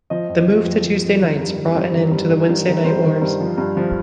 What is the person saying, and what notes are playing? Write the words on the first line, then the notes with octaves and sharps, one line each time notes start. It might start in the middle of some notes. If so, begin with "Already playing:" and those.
The move to Tuesday nights brought an end to the Wednesday Night Wars.
F3 D#5
F2
C5
F3
F2
F3
F2
D#3
G2
D#3
G2 C5
D#3
G2
D#3
G2
D#3
G2 C5
D#3
G2
F3
G2
F3